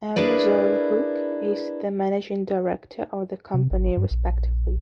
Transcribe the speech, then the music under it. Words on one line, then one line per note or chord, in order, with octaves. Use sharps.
M Ziaul Huq is the managing director of the company respectively.
D4 E4 G#4 A#4 B4 D5
C3
G#1
G2
A#1